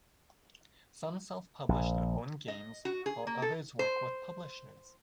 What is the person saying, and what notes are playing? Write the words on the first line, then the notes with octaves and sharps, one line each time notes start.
Some self-publish their own games while others work with publishers.
A#1
D#5
F#4
G#4
A#3
A4
C5